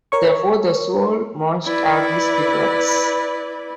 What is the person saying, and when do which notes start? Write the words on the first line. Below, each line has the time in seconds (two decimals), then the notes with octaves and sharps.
Therefore, the soul must have this difference.
0.12 A#4 C#5 C#6
1.65 E4 B4 D5